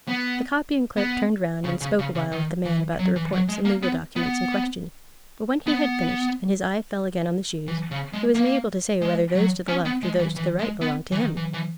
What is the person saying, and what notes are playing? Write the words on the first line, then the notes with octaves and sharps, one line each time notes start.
The copying-clerk turned round and spoke awhile with the man about the reports and legal documents in question; but when he had finished, and his eye fell again on the Shoes, he was unable to say whether those to the left or those to the right belonged to him.
B3
B3
C#3
C#3
C#3
C#3
D#3
E3
F#3
E3
F#3
G#3
A#3
B3
B3
B3
E3
C#3
G#3
A#3
G#3
F#3
C#4
B3
G#3
E3
E3
G#3
B3
E3
D#3
E3
E3